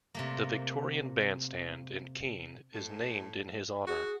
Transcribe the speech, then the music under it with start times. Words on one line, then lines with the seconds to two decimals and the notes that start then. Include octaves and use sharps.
The Victorian Bandstand in Keene is named in his honor.
0.15 C3 A3 A#3
2.73 A2
3.87 F#4 G#4